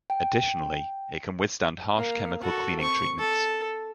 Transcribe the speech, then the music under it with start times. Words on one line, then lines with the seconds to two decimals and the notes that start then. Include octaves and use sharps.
Additionally, it can withstand harsh chemical cleaning treatments.
0.10 G5
1.96 A#3
2.43 F#4 A4
2.80 C4 C#6
3.19 A4